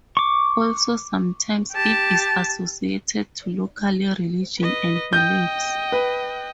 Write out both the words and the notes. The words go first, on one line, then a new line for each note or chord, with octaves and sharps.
Also, sometimes it is associated to local religion and beliefs.
C#6 D6
G4 A5
B4 D#5
D#5 G5 G6
B4